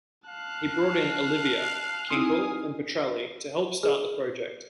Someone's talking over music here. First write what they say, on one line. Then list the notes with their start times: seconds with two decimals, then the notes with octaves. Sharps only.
He brought in Oliva, Kinkel, and Pitrelli to help start the project.
0.28 F5 A5 F#6
2.11 C4 D#4 E4 G#5 D#6
3.83 G#4